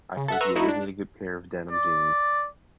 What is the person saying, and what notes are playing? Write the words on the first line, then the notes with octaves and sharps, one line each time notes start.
I feel like you always need a good pair of denim jeans
C#3
A4 E5 F#5
B4 A#5 C6 C#6 E6 A#6
A3 D#4 E4 F#4
D4
D5